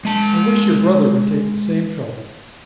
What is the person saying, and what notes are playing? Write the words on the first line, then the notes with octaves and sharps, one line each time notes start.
I wish your brother would take the same trouble.
G#3 A5